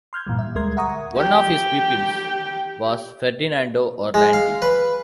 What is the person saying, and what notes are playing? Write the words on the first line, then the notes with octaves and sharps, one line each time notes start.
One of his pupils was Ferdinando Orlandi.
C6 F6 G6 G#6
G2 A#2 E3 G3
E5
D2 G3 G#3 A#4 C6 G#6
E5 F#5 A#5 C#6 D#6
G4 G5
G#3
F5
B4